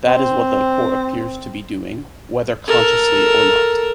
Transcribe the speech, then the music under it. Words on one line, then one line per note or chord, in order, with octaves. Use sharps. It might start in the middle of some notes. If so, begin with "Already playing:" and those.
That is what the Court appears to be doing, whether consciously or not.
C4
A4 A#4